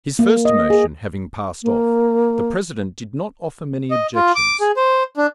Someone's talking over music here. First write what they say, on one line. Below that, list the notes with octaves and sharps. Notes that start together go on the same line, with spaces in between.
His first emotion having passed off, the President did not offer many objections.
A#3
D#5
G#4
A#3
D#5
F4
D6
G#4
C5
D4